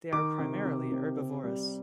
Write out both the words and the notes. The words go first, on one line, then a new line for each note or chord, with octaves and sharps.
They are primarily herbivorous.
D#3 D6
C3
C3
C3
C4
G3